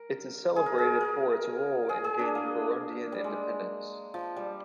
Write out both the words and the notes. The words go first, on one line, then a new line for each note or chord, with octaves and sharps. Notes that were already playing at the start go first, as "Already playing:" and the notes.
It is celebrated for its role in gaining Burundian independence.
Already playing: A#4
G#4
A#4
G#4
A#4
G#4
G#4
D4
A#3
G3
G#3
F3
G3